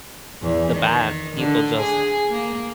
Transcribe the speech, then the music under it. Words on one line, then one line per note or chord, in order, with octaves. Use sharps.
the bad people, just,
E2
D#3
D3
G#4
A#3